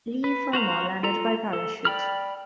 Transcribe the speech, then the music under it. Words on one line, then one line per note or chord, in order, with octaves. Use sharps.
Leigh Fermor landed by parachute.
B4
F#4 C5 F5 A#5
F4 A4 A#5
A4
D5 G5 B5 F6